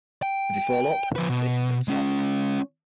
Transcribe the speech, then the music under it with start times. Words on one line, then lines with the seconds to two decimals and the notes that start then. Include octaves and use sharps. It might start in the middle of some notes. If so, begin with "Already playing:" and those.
If they fall up, this is the top.
0.22 G5
1.16 F3 B4
1.29 B2
1.88 G#3 C#4